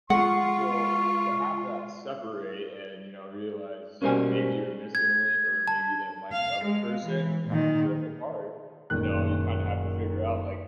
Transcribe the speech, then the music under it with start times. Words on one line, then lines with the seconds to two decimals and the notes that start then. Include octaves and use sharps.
So to have that separate and, you know, realize maybe you're missing a link or maybe you didn't like the other person, you kinda drift apart. You know, you kinda have to figure out, like,
0.10 G#3 F4 F#5 C#6
4.02 B2 G3 A#3 C#4 C5 G#5
4.95 G#6
5.68 A5
6.33 F5
6.64 G#3
7.06 E3
7.48 A#2 D#3
8.90 F#1 A#2 D#3 F#6